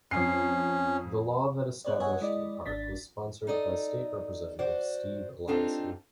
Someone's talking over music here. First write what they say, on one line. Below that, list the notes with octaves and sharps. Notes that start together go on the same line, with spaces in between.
The law that established the park was sponsored by state representative Steve Eliason.
F2 C#4 C7
B3 B4 C#5 D5
C#5 D#5 E5 F#5 G#5
G#3 E4 D5 D#5
G#1 D4 A6 B6
D#4 A4 D5 D#5
F#4 C5 D5
C4 D4 D#4 F4 G4 A4